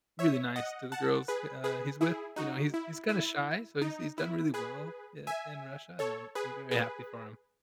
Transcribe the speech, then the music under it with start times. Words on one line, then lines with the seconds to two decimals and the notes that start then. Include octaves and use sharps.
really nice to the girls, uh, he's with, you know? He's he's kinda shy, so he's he's done really well, eh, in Russia, and I'm I'm very happy for him,
0.19 C#5 E5
0.56 D#5 F#5
0.92 F#5 A5
1.28 G#4 B4
1.64 G#4 B4
2.01 E4 G#4
2.36 D#4 F#4
2.74 E4
3.09 E4
3.82 D#4
4.18 E4
4.54 G#4 B4
5.27 E5 G#5
5.99 A4 C#5
6.35 G#4 B4
6.71 G#4 B4